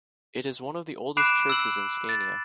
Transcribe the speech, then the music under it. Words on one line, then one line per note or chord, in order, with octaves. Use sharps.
It is one of the oldest churches in Scania.
B5 D6 F#6 C7 D7 E7
E6 F#7
A6